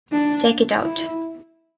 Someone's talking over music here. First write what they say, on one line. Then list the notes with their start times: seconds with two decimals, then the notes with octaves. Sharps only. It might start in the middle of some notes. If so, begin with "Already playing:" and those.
Take it out!
0.12 D4
0.83 E4